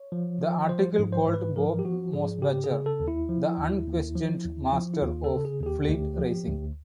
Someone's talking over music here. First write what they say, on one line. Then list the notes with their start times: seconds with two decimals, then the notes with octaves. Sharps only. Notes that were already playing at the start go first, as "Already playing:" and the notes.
The article called Bob Mosbacher "the unquestioned master of fleet racing".
Already playing: C#5
0.12 F3
0.41 F3
0.69 F3 C5
0.99 G#2
1.12 C5
1.28 G#2
1.34 B4
1.56 F3 A#4
1.79 G4
1.85 F3 F#4
2.13 G#2 G#4
2.42 C#3 G4
2.64 G#4
2.71 C#3
2.86 A4
3.00 D#2
3.08 E4
3.29 F3
3.58 D#2
3.87 D#2
4.15 F3
4.45 D#2
4.73 F3
4.94 E4
5.01 D#2 F4
5.24 A4
5.31 C#3
5.45 G#4
5.60 D#2 G#4
5.66 G4
5.89 D2
6.18 F3
6.47 D2